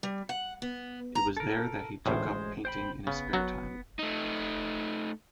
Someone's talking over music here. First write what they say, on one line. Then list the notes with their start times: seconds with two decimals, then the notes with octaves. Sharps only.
It was there that he took up painting in his spare time.
0.03 G3
0.29 F#5
0.62 B3
1.15 A#5
1.37 A4 A#4
2.06 A1 D2 A2 G#3 C5
2.65 C5 G5 B5
3.07 C#3 B3
3.33 F#3 F#4
3.99 A3 D#4